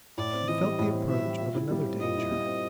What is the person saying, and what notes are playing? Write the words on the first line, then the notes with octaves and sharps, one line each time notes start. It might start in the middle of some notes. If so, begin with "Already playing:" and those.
He felt the approach of another danger.
A2 D5
C4
E3 D#5
G3
A2
C4
E3 E5
G3
A#2
E4
G3
C4
A#2 D#5
E4
G3
C4